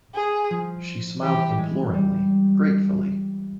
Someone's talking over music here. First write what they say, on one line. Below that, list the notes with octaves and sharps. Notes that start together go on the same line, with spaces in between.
She smiled imploringly, gratefully.
G#4
F3 F4
E3 E4 G4
G#3
G3